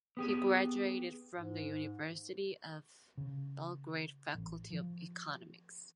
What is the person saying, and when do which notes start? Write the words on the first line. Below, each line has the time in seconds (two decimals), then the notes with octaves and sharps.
He graduated from the University of Belgrade Faculty of Economics.
0.17 B3 G4 G#4
1.33 G#2
3.17 C#3
4.35 A1
4.71 F3